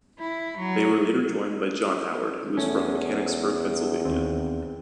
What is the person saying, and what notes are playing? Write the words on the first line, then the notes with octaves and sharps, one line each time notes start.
They were later joined by Jon Howard, who is from Mechanicsburg, Pennsylvania.
E4
F#3
E2 A3 C#4
D#2 C4